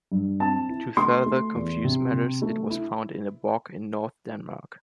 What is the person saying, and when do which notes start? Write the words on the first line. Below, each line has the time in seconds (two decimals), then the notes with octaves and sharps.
To further confuse matters, it was found in a bog in north Denmark.
0.12 G2
0.40 C4 A5
0.69 E4
0.97 A3 C6
1.26 A3
1.55 E2
1.84 C3
2.12 C3
2.42 A3
2.70 E4